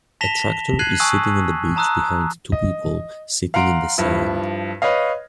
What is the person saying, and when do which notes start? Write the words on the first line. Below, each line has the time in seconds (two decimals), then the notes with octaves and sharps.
A tractor is sitting on the beach behind two people sitting in the sand.
0.21 A5 A#6 B6 E7 F7 G7
0.79 F#6 G#6 C7 D#7 F#7
1.00 G#5 A5 C#6 D#6 E6 F#6
1.76 A5 A#5 D#6 E6 F#6
2.52 D#5
3.54 F5 F#5 A#5 C6 D7
3.98 G2 F3 E4
4.82 B4 C#5 D#5 F5